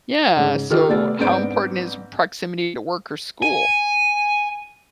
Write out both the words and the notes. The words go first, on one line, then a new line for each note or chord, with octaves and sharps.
Yeah, so how important is proximity to work or school
G#2 C#3
D#3 F4 G4 A4 F6
C3 A3 B3 D5 A6
G#2 B3 C4 D4 G6 D7
G#5